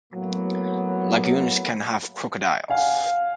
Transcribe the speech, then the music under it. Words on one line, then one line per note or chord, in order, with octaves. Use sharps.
Lagoons can have crocodiles.
A2 F#3 A#3 B3
F5 F#5 G#5